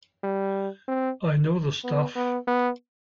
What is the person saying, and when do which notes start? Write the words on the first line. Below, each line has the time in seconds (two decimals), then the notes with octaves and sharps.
I know the stuff.
0.23 G3
0.88 C4
1.84 B3
2.15 B3
2.47 B3